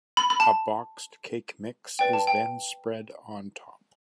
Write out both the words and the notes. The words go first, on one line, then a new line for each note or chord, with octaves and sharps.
A boxed cake mix is then spread on top.
B5
B5
A5
B4 D5 G5
A5
G5